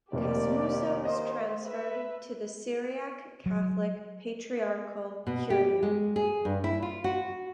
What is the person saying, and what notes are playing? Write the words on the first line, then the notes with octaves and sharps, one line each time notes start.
Casmoussa was transferred to the Syriac Catholic Patriarchal Curia.
F1 D#2 A#3 G4 D5
C5 D#5
B4 E5
F#3
B2
G4
G#3
G#4
G2
E4
F4
F#4